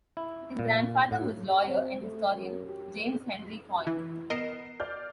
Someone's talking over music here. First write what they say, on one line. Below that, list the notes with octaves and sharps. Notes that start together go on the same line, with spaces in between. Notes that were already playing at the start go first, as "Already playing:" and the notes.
His grandfather was lawyer and historian James Henry Coyne.
E4
A#2
A2
C4
A3
F#2
G4
E3
B3 A#4 D#5 C7 E7
D5 F6 G6